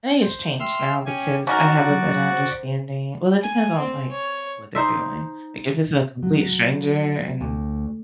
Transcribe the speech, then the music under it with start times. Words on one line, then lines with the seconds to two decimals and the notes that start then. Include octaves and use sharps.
I think it's changed now because I have a better understanding well, it depends on, like, what they're doing. Like, if it's a complete stranger and
0.22 C5
0.60 E5 G5 C6 E6 F6
1.06 C#4 G4 G#5
1.47 C#4 D#4 F#4 A#4 D5 F#5 C#6
1.89 F#3
2.32 C5
3.41 G#5
3.79 C4
4.10 C#5
4.75 D#4 C5 E5
6.22 F#3
7.41 D2